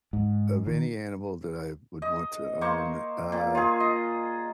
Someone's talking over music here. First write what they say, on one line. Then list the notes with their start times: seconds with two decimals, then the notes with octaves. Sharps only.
of any animal that I would want to own, uh,
0.13 G#2
0.67 D#3
2.02 D#5
2.61 A#3 C5 C#6
3.32 A#2
3.55 F4 G#4
3.80 D#5